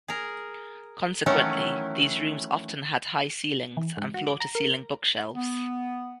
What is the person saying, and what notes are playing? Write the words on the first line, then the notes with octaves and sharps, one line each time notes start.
Consequently, these rooms often had high ceilings and floor-to-ceiling bookshelves.
G#4 A#4
D#3 E3 F#3 A3 C#4 E4
E3
G#2
F#4
D6
A#5
A#4
B3